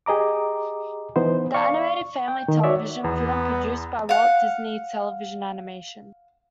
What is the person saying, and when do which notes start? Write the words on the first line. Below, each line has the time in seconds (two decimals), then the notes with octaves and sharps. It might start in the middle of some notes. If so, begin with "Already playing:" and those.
The animated family television film produced by Walt Disney Television Animation.
0.06 G4 G#4 D#5 A#5 D6
1.16 E3 B3 D#4 C5
1.54 D5 F5 C#6
2.28 G5
2.48 D#3
2.64 F#4 C#5 D5 E5
3.04 E2 B3
4.09 F5 F#5